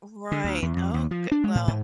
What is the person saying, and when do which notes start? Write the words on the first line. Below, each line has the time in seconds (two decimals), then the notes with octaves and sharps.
Right, oh, g well.
0.32 D3
0.44 D2
0.62 E2
0.77 F2
0.94 D#2
1.11 F3
1.32 D4
1.44 G#3
1.55 A2
1.68 G#2